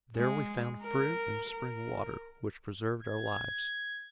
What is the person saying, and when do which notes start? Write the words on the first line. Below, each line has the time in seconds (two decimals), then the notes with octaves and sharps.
There we found fruit and spring water, which preserved our lives.
0.17 G#3
0.83 A#4
1.50 A#4
3.03 G#6